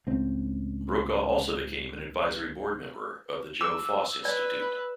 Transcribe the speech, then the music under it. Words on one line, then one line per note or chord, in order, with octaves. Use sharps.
Brokaw also became an Advisory Board member of the Joe Foss Institute.
C#2 A2 C4
D6 E6
B4 D5